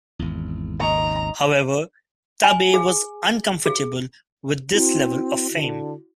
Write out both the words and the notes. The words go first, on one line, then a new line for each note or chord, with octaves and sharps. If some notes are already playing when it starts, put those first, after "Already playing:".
However, Tabei was uncomfortable with this level of fame.
G#1 E2
G#1 D#2 C#3 D#4 A#5 C#6
G#5
G#4
G#4
C4 E4 F#4
D3